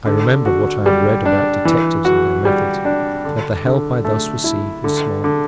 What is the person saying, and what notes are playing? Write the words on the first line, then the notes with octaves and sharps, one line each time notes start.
I remembered what I had read about detectives and their methods, but the help I thus received was small.
D3
F#4
G3
D4
E3
F#4
G3
D4
D3
D3
A3
E4
D3
D3